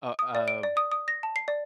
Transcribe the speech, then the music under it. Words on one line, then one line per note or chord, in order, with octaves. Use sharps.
Oh, uh,
D#6
D5
D7
D5
D#6
D#6
A#6
A5
C7
D5